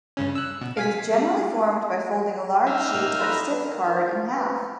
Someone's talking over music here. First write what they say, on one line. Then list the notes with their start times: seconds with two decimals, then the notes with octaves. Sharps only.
It is generally formed by folding a large sheet of stiff card in half.
0.17 G2 C#3 C#4
0.35 E6 F#6
0.61 B2
0.77 F5 G#5 B6
1.14 G3
2.67 D#4 E5 F5
2.94 G3 A#3 F#4 F6
3.19 D4 F4 A4 B4 D#5 A#5
3.51 B3
3.64 D#3
3.85 F3
4.36 B3